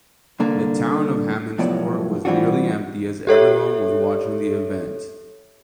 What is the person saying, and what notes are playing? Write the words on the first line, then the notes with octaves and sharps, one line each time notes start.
The town of Hammondsport was nearly empty as everyone was watching the event.
C2 D3 A#3 A#5
C2 A2 F3 F#3 B3 D5
E3 G3 C4 D4 F4 F#4
G4 A4 C#5 E5